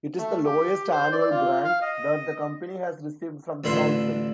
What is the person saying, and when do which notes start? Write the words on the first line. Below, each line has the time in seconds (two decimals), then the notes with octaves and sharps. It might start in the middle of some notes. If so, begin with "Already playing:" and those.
It is the lowest annual grant that the company has received from the council.
0.18 A3
0.45 G4
0.92 C5
1.12 D5
1.31 F4
1.65 F5
1.81 D#5
3.64 A1 D3 E4 F4 B4 C6